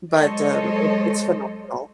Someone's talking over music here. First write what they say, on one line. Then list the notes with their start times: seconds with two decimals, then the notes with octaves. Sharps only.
but, um, it it's phenomenal.
0.13 F#3 G#3 A4 C5 C#5 D#5